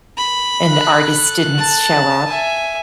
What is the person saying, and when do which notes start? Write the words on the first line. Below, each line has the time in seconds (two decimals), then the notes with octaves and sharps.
And the artist didn't s show up,
0.17 B5
0.70 A4 F#6
1.58 A5
2.27 E5 G#5